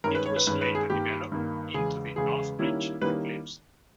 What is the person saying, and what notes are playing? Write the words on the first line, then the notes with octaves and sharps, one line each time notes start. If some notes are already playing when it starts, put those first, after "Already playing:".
It was later developed into the Northbridge Eclipse.
G2 D#3 G#3 C#4 A#4
B4
C#5
B4
G2 D#3 G#3 C#4 B4
B4
G#4
G2 D#3 A#3 G4
G2 D#3 A#3
E2 C#3 G#3 G#4
E2 C#3 G#3 G#4
D#3 G3 A#3 C#4 E4
D#3 G3 A#3 C#4 E4 B4